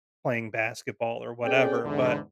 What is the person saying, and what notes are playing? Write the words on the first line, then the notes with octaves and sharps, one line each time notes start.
playing basketball or whatever. But,
C4 C#4 G#4 A4 D5 G5
E2 G#2 D3